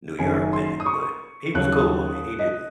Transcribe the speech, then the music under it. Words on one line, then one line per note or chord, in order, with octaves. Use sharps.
New York minute, but he was cool, I mean, he didn't
F#1 F#2 D#3 F#3 G#5
C6
D#6
C#6
D#2 C#3 F#3 F#6
D#6
D#5